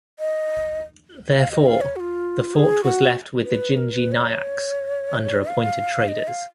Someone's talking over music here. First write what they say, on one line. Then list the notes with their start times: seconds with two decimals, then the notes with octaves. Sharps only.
Therefore, the fort was left with the Gingee Nayaks under appointed traders.
0.19 D#5
1.37 F5
1.51 D#5
1.66 F5
1.81 C#5
1.96 F#4
2.00 F4
2.55 G#4
2.84 F#4
3.43 B4
3.72 B4
3.77 A#4
3.92 B4
4.12 C#5
5.49 F5
6.08 D#5
6.28 F5